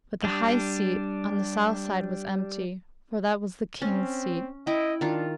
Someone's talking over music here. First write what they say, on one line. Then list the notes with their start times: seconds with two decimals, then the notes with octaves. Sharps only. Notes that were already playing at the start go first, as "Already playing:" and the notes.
But the high seat on the south side was empty; for that was the king's seat.
0.24 G3 D4
3.82 C4 C#4
4.67 E4 D#5 G5
5.01 D#3 D4 F4